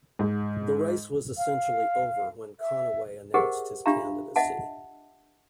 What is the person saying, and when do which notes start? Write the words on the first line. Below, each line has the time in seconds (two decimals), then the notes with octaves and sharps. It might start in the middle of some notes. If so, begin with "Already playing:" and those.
The race was essentially over when Conaway announced his candidacy.
0.19 G#2
1.37 F5
2.60 E5
3.34 G4 G#4 A#4 C5 D#5 F#5
3.86 D4 F4 G4 E5 F5 A#5
4.36 D#5 E5 F#5 A5